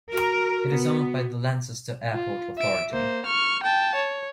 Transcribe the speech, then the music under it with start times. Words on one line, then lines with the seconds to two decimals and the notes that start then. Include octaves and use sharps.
It is owned by the Lancaster Airport Authority.
0.12 F#4 A#4
0.71 B3
2.13 F4
2.58 E5 D7
2.91 A#3 C5
3.26 C#6 F6
3.63 G5 A5
3.95 C#5